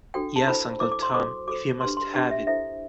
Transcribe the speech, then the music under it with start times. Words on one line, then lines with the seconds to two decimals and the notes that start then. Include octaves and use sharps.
Yes, Uncle Tom, if you must have it.
0.14 D4 F#4 A4 G5
0.36 A5
0.47 E4 A4 C5 B5
0.80 E4 A4 C5 D6
0.92 D6
1.03 C6
1.13 F#4 A4 C5 D6
1.47 F#4 A4 C5 D6
1.80 D4 G4 B4 C6
1.97 C6
2.14 D4 G4 B4 G5
2.31 E5
2.47 E4 A4 C5 E5